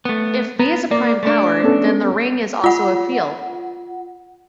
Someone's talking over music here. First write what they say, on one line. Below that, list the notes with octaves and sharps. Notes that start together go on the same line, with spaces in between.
If "b" is a prime power, then the ring is also a field.
A3 B3
B3 A#5
A#3 D5
A3 D4
B3 C#4 A4
F4 F#5